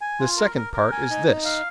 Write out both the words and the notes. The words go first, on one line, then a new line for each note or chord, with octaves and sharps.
The second part is this.
G#5
F4
A#4
A#4
A#4
G#5
D#4
D#4
F5